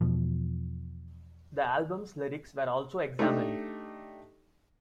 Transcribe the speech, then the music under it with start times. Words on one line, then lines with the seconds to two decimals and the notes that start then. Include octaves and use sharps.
The album's lyrics were also examined.
0.01 E2 B2 F3
3.19 A3 D4 D#4 G4